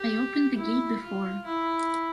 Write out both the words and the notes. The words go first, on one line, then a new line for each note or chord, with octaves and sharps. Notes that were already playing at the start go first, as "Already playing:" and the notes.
I opened the gate before.
Already playing: G4
E4
F4
E4